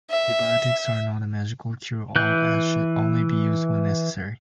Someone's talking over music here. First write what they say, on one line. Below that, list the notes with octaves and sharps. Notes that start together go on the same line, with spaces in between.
Antibiotics are not a magical cure-all and should only be used when necessary.
E5
E3 F#6 G6